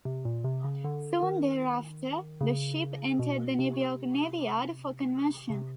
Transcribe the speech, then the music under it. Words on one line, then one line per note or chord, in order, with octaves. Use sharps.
Soon thereafter, the ship entered the New York Navy Yard for conversion.
C3
A#2
C3
C#3
D3
D#3
C#3
B2
C3
C#3
C3